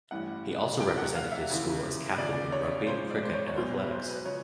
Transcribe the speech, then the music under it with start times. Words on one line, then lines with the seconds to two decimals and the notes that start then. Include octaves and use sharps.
He also represented his school as captain in Rugby, Cricket and Athletics.
0.11 A1 G2 E3 F#5
0.80 C2 C3 F3 G5
0.98 F#5
1.15 F5
1.32 E5
1.50 D#2 C#3 E3
2.18 D#2 C#3 F3 D5
2.52 C#5
2.87 G#1 G#2 F3 C5
3.11 D5
3.23 C5
3.33 C#5
3.48 C#5
3.56 B1 B2 F#3 C5
3.73 B4
3.91 C5
4.08 B4
4.25 C#3 F3 C#5